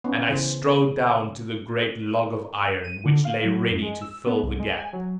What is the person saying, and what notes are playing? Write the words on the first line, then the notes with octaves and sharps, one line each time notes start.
And I strode down to the great log of iron which lay ready to fill the gap.
B3 C#4 D#4
C#3 E3 C5
D#7
D3
F5
F#3
F#2
G#3
E6
B3
C2
G#3
G#5
F#3